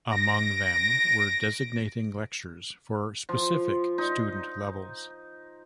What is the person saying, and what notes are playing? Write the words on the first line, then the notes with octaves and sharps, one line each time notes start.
Among them were designating lectures for specific student levels.
A#6 D7
F3
D#4